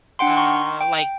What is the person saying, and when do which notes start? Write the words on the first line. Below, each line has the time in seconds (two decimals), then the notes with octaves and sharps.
uh, like
0.19 D4 F#5 G5 C6
0.37 A#5 C6 C#6
0.81 G5